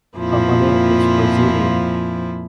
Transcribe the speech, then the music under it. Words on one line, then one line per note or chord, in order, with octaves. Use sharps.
Her mother is Brazilian.
F2 A#2 F3 E4